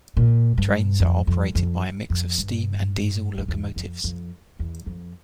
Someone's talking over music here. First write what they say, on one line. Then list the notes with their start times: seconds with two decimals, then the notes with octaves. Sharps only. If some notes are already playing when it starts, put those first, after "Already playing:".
Trains are operated by a mix of steam and diesel locomotives.
0.17 A#2
0.58 G2
1.00 F2
1.27 F2
1.55 F2
2.10 F2
2.38 G2
3.38 F2
3.48 E2
3.76 F2
4.04 F2
4.59 E2
4.86 F2